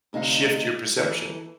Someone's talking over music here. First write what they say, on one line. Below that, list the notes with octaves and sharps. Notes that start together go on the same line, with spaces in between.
shift your perception.
D2 C3 D#4 F#4 F5
D#2 E3 A4